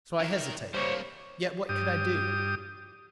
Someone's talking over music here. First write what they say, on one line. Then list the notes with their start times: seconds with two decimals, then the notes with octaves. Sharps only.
So I hesitated, yet what could I do?
0.20 D#3 A#4
0.74 G3 A#3 C5 C#5
1.69 G2 G4 D#6